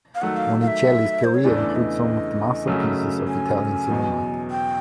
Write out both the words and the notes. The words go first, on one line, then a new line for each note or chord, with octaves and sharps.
Monicelli's career includes some of the masterpieces of Italian cinema.
F5
D#3 F#3 A3 F#5
F5
F5
E5
C5
C#5
E2 C#3 E3 A3 D4 D5
D#5
F#2 C#3 F#3 A3 C#4
G#5
E2 B2 F#3
G5